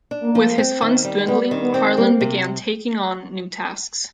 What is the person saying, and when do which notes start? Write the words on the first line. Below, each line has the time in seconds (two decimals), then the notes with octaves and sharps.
With his funds dwindling, Harlan began taking on new tasks.
0.11 D4
0.23 A#3
0.35 F3
0.58 C4
0.82 D#3
1.04 G3
1.27 G3 B3
1.51 D#3
1.62 B3
1.74 C4
1.97 G3 A#3
2.21 C3